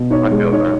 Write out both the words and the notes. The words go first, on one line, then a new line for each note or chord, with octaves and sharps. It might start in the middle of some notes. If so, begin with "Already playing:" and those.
I feel that.
Already playing: B2
D#4 C#5
G#3
D#4 C#5